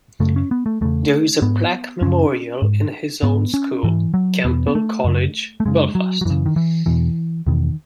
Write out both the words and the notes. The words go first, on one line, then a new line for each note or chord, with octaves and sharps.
There is a plaque memorial in his old school, Campbell College, Belfast.
F#2 C#3 A3
C#4
B3
A3
E2 C#3 A3
G#2 B3
F#2 C#3 C#4
G#2
G#2 B3
C#4
G#2 E3
F#3
E2 B2 B3
B3
A3
F#2 C#3
A3
F#2 C#3 G#3
F#3
F#3
F#2 C#3 E3
D#3
E3
E2 B2 E3
E2 B2 D#3